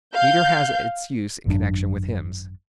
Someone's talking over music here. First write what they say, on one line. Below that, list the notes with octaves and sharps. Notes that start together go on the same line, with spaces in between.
Meter has its use in connection with hymns.
F5 G6
G#1 F#2 D4